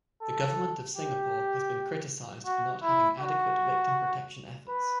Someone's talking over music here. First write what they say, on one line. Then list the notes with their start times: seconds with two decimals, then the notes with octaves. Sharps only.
The government of Singapore has been criticised for not having adequate victim protection efforts.
0.22 A4
0.96 G4
2.46 F#4
2.82 E4
3.20 F#4
4.69 B4